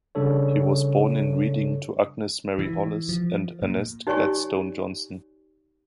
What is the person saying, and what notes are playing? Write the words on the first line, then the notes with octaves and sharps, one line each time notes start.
He was born in Reading to Agnes Mary Hollis and Ernest Gladstone Johnson.
C#3 G3 D4 A4 C#5
E3
F3
A#2
D#4 G4 C#5 D5 G#5 C#6